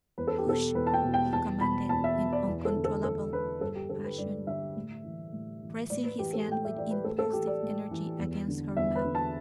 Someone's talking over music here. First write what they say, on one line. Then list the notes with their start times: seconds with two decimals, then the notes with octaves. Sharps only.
"Hush!" he commanded, in uncontrollable passion, pressing his hand with impulsive energy against her mouth.
0.18 E2 B4
0.28 A4
0.38 G4
0.46 B2 A4
0.75 E2 B4
0.87 A5
0.94 G5
1.04 B2
1.14 G5
1.32 E2 A5
1.61 B2 B5
1.89 E2 A5
2.04 E5
2.18 B2
2.33 D5
2.47 E2
2.65 A4
2.76 D3
2.85 A4
3.04 E2 A4
3.33 D3 B4
3.61 G2 A4
3.75 G4
3.90 D3 A4
4.04 B4
4.18 G2 D5
4.47 D3 E5
4.76 A2
5.04 E3
5.33 A2
5.62 E3
5.90 A2 D5
6.04 B4
6.19 E3 G4
6.34 A4
6.48 A2 G5
6.65 E5
6.76 E3 D5
6.91 B4
7.05 A2 A4
7.19 A4
7.33 E3 G4
7.47 D5
7.62 A2
7.91 E3
8.19 E2
8.48 D3
8.76 E2 E5
8.95 B4
9.05 D3
9.15 A5